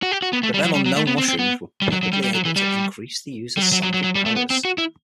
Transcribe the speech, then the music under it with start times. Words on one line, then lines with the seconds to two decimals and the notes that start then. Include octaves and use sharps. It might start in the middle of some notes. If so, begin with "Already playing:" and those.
The then-unknown mushrooms were purportedly able to increase the user's psychic powers.
0.03 F#4
0.12 G4
0.22 F#4
0.33 B3
0.43 A3
0.54 G3
0.64 F#3
0.75 G3
0.86 F#3
0.96 A3
1.07 B3
1.18 C4
1.28 C4
1.39 B3
1.82 G3
1.92 F#3
2.03 F#3
2.13 G3
2.24 G3
2.35 F#3
2.45 E3
2.56 G3
3.57 G3
3.62 F#3
3.73 F#3
3.83 F#3
3.94 F#3
4.04 F#3
4.15 G3
4.26 A3
4.36 B3
4.50 C4
4.65 F#4
4.78 E4